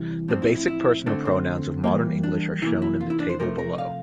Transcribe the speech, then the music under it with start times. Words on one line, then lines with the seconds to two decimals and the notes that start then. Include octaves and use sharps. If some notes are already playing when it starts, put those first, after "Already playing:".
The basic personal pronouns of modern English are shown in the table below.
Already playing: C3 E3 G3
0.28 A2 F3 C4 D4
0.42 E4
0.54 E4
0.68 E4
1.06 D3 A3 C4 D4
1.25 C4
1.84 E3 G3 A#3
2.23 D4
2.61 C3 E3 A#3 E4
2.82 E4
3.01 F4
3.10 E4
3.20 D4
3.29 C5
3.40 C3 F3 A3 A#4
3.58 A#4
3.78 F5